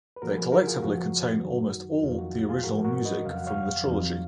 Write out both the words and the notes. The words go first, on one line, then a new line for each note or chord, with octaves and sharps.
They collectively contain almost all of the original music from the trilogy.
B4
A#2 F3 F#4 A#4
G#4 B4
F#4 A#4
F4 G#4
F#2 C#3 F3 F#4
F#2 D#3 F#3
F2 D#3 F#3 F4
F#4
F4 G#4
G#2 F3 F#4 A#4
F#4 A#4
B4 D#5
F2 C#3 F#3 F5
F#5
C#5 F5
F2 D#3 F#3